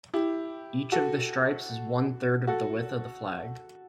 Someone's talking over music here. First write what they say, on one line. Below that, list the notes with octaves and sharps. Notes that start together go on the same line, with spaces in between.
Each of the stripes is one-third of the width of the flag.
E4 G4
F#4 A4
F#4 A4